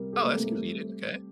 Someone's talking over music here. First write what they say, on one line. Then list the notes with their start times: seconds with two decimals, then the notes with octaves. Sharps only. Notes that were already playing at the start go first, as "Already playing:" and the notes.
Oh, that's convenient, okay.
Already playing: C3 G3 A#4
0.13 G4 A4
0.24 A#3
0.35 A3 C4
0.46 A3
0.56 G3